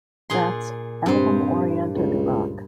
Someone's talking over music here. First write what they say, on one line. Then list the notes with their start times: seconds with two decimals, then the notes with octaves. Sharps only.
That's Album-Oriented Rock.
0.30 A#2 G#4 C6
1.06 G2 C3 C5
1.95 C#2